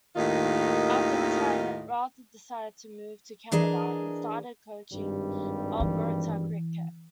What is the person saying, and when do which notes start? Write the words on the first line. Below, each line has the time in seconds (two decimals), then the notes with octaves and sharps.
After retirement, Raza decided to move to Canada, and started coaching Alberta cricket.
0.16 D#2 A2 D#3 D#4 F4 D#5
3.52 E3 D4 G#4 A#4 D#5
4.91 G#1 G2 G3
5.80 E3